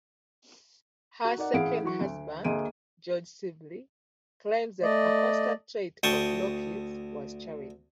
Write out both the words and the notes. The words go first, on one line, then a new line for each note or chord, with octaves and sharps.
Her second husband, George Sibley, claims that a constant trait of Block's was charity.
F#4
D#4 A#4 D5 F#5
A1 E4 G#4 F5 F#5 D7
E3 F#3 F#4 C#6
D2
D2 A#3 G#4 D#5 D7 D#7
A3 D5 D#5
D2 G5 A5 C#6 D#6